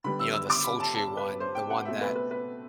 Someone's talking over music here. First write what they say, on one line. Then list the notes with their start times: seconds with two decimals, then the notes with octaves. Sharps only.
you know, the sultry one, the one that
0.04 D3 G3 B3 B5
0.19 E6
0.34 E6
0.50 D6
0.64 B5
0.80 A5
0.95 A5
1.17 B4
1.40 C5
1.55 G5
1.70 F#5
1.85 B2 A3 C4 E5
2.01 B4
2.16 B4
2.31 B4